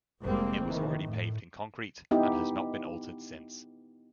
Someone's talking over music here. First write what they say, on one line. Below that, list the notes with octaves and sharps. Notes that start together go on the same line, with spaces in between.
It was already paved in concrete, and has not been altered since.
F1 G3 G#3 A#3 C4
D#3 E3
A2
B3 D#4 E4 G4